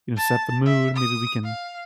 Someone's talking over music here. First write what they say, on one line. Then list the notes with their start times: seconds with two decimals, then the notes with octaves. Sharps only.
you know, set the mood. Maybe we can
0.17 A5
0.66 E5
0.96 D#6
1.44 F5